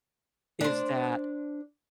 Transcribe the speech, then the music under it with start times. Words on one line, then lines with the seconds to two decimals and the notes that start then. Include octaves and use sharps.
is that
0.61 D4 C5